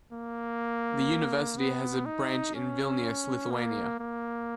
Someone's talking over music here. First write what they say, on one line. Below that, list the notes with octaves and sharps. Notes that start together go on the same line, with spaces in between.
The University has a branch in Vilnius, Lithuania.
A#3
B3
D#4
C#4
A#3
A#3